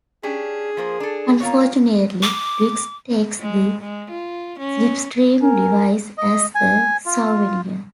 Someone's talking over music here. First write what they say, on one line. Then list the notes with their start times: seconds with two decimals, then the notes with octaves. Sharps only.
Unfortunately, Briggs takes the Slipstream device as a souvenir.
0.23 C#4 D4 G4 G#4
0.77 F3 A#3 C5
1.00 D4 A4
1.41 A#3 F4 C#5
2.22 D6
3.40 G#3
3.81 G#3
4.10 F4
4.59 C#4
5.42 A#4 G#5
6.18 D#5
6.55 G#5
7.06 F4